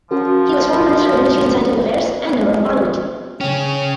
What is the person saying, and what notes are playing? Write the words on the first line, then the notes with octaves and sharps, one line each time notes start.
He was former Minister of Industries and Scientific Affairs and Member of Parliament.
F3 C#4 F#4 A#4
C#3 C#4 G5